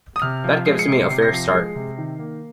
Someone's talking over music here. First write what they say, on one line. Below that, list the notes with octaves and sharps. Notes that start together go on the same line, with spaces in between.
That gives me a fair start.
D#6
C3 F6
F3
G#3 C7
C#7
C3 C7
C3 C7
A#6
F3 C7
G#3
C3
D#3
A#3